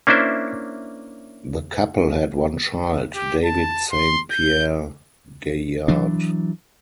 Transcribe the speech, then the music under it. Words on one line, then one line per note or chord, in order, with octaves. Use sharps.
The couple had one child, David Saint Pierre Gaillard.
A#3 C#4 D4 E4 C5 E5
G4
A5
C6
G6
E3 F#3 D4